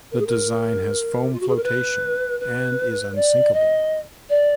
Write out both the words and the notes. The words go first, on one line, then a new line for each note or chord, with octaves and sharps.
The design has foam flotation and is unsinkable.
A#4
G#4
A#4
F4
F#4
G#4
A#4
B4
B4
D5
D#5
D5